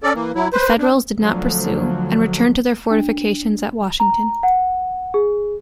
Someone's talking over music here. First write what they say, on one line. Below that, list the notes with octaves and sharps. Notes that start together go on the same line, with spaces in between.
The Federals did not pursue and returned to their fortifications at Washington.
C#4 A4 D5
E3 A#3
F#3 E4
B4 C5
D4
D2 D3 F3 F#3
D4
A#5
F#5
G#4